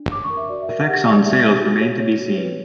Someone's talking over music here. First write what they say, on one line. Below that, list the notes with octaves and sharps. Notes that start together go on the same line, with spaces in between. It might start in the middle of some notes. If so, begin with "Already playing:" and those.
Effects on sales remains to be seen.
Already playing: D4
C#5 D6
C#6
A#4
E5
F#4 D5
E5
A#4
E5
G4 F#5
D5
G4 E5
G4
F#4
C#5
C#5
F#4
B4